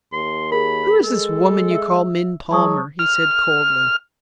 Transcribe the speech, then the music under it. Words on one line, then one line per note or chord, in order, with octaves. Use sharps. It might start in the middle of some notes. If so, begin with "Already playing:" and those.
"Who is this woman you call Min Palmer?" he said coldly.
D#2 C6
G#4 A#4 B5
G#3 A4
E5 E6
F#3 G#3 A5 C#6 D#6
F6